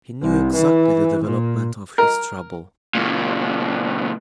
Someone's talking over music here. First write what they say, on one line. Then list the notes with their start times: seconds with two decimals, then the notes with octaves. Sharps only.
He knew exactly the development of his trouble.
0.22 C2
0.54 E3
1.24 A#2
1.98 A#4
2.95 C#2 A#2